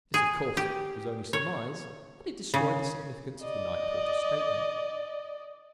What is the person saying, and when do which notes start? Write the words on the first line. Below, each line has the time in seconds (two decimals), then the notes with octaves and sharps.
This, of course, was only surmise, but it destroyed the significance of the night porter's statement.
0.14 G#4
0.57 G4
1.33 C#5
2.54 C#3
3.41 D5 D#5